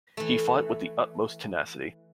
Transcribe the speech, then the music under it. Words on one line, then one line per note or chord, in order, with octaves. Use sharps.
He fought the with the utmost tenacity.
E3 A3